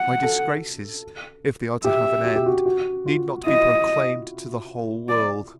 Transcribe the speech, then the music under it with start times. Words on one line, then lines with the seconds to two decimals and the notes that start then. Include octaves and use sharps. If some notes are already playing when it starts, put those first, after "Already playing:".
My disgraces, if they are to have an end, need not be proclaimed to the whole world.
Already playing: F#5
0.23 A4
1.84 G4 E5
2.25 F#4
2.35 G4
2.46 F#4
2.66 F#4
3.06 F4
3.47 E4 D#5
5.09 D5